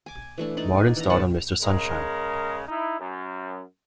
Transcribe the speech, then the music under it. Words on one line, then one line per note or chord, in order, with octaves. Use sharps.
Martin starred on "Mr. Sunshine".
G#5 D6
E3 A3 D4
D4 D#4 D5
G#5
E3 A#5
D3 B3 F#5 A5
C#3 G#3 A#4
D#4 E4
F#2